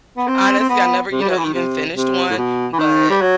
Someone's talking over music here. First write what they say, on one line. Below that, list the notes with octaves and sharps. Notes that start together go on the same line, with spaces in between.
Honestly, I never, you know, even finished one, but,
B3
C4
C4
B3
C3
G3
F#3
E3
D#3
C3
C3
A2
B2
E3
D#3
G3
F#3